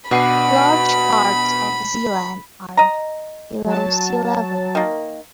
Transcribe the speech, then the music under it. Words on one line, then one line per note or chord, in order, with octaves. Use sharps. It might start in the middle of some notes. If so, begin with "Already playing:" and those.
Large parts of Zeeland are below sea level.
B2 D4 F#4 B4 B5 C7 D#7
D#5 A#5
F#3 A5
D#3 A#3